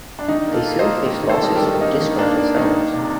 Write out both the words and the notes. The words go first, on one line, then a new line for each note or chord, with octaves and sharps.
They soon faced lawsuits from disgruntled settlers.
D4
D#3 D#4
A#3
F4 A4
A#3
C5 D#5
A#3
D#3
D#3
A4 C5
G3
A4
G4 A#4
D#3
A#3 D#4
D#3
A#3 D4
A#3
D#3 D#4
A#3
C3